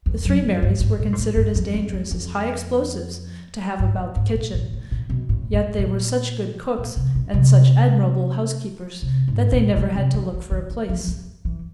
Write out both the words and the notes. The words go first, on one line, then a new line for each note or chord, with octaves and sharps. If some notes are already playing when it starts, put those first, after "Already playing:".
The three Marys were considered as dangerous as high explosives to have about the kitchen, yet they were such good cooks and such admirable housekeepers that they never had to look for a place.
E2
F#2
F#2
G2
G#2
A#2
G#2
A2
G2
F2
F2
F2
F2
G#2
A2
G#2
A#2
A#2
A2
A#2
B2
A2
A2
A#2
A#2
C3
B2
C3
C3
G#2
A#2
B2
C3
D#3
E3
D#3
D#3
F3
G3
E3